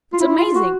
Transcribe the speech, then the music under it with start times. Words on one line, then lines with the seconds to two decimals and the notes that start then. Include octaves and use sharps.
It's amazing!
0.13 F4
0.21 E4
0.38 F4
0.56 F#4